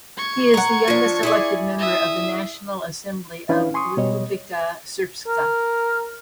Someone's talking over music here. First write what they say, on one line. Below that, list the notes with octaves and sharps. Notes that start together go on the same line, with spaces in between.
He is the youngest elected member of the National Assembly of Republika Srpska.
C#6 G#6
F#5 A#5
F3 D4
E4 G#4 D5
E5 D#6
E3 C#4 D4 E4 B4 F5
G#5 C6 C#6 D#6
B2 G3 C#5 D#5
A#4